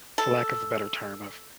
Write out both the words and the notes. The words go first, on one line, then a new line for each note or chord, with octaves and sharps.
for lack of a better term, I've
A4